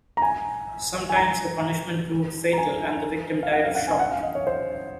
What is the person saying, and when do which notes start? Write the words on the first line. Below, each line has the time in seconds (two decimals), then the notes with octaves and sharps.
Sometimes the punishment proved fatal and the victim died of shock.
0.17 A#5
0.22 G#5
1.09 G#5
1.16 A#5
2.53 A#5
2.58 G#5
3.43 F5
3.52 F#5
3.64 F5
3.75 F#5
3.87 G#5
3.99 F#5
4.12 F5
4.23 D#5
4.35 C#5
4.47 C5